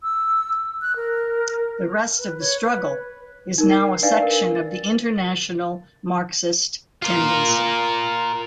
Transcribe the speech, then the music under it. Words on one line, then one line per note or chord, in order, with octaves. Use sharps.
The rest of The Struggle is now a section of the International Marxist Tendency.
E6
F#6
A#4
B4
C#5
B4
D#4 A#4
C7
D4 B4 D5 F5 G#5 A6
A#4
A6
F4 A#4